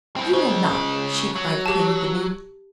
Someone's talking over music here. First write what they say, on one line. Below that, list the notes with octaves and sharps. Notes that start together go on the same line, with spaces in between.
"You will not!" she cried, clinging to me.
C4 E4
C#3 G#3 C5
F#3
G4 A5